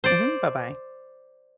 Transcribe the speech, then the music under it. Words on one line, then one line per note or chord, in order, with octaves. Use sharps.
Mhm, bye-bye.
C5 D5